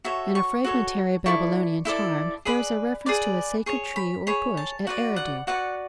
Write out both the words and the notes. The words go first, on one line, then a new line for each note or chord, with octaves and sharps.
In a fragmentary Babylonian charm there is a reference to a sacred tree or bush at Eridu.
F#4 A4 C#5 E5
C#6
F#4 A4 C#5
E4 A4 D5 C#6
E4 A4 D5
G#4 B4 D5 B5
G#4 B4 D5
G#4 C#5 C#6
B5
G#4 C#5 B5
A5
F#4 B4 D5 F#5
F#5
F#4 B4 D5 F#5